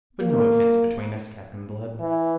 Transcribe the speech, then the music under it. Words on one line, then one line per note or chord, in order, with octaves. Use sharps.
"But no offence between us, Captain Blood!"
A#3
E3